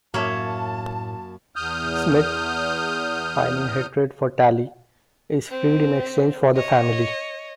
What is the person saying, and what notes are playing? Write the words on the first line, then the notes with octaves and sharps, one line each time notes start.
Smith, feigning hatred for Talley, is freed in exchange for the family.
F#2 A2 A#3 C#5 E5 A5
E2 D#6 F6 G6
C4
C#5 D#5